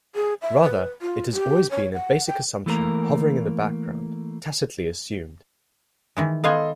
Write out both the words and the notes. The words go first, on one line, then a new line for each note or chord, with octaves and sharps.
Rather, it has always been a basic assumption hovering in the background, tacitly assumed.
G#4
E5
B4
F4
G4
C#5
F#5
G5
E3 A3 A#3 A#4
D#3 E3 G#3
B3 A4 D#5 F5 G#5 C6